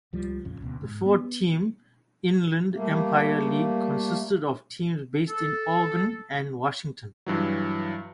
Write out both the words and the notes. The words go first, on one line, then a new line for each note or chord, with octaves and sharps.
The four–team Inland Empire League consisted of teams based in Oregon and Washington.
C#2 F3 G3
A#1 F2 C#3
E1 D2 B2
G#2
B3
G3 A3 A#3
A4
G2 E3 F#3